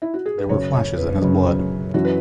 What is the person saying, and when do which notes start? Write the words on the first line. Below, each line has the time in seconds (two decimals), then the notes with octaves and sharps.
There were flashes in his blood.
0.02 E4
0.14 F#4
0.26 G#4
0.38 B4
0.49 F#2 C#3 F#3 C#5
0.73 C#5
0.97 B4
1.22 F#2 C#3 F#3
1.94 F#2 E3 F#4
2.05 B4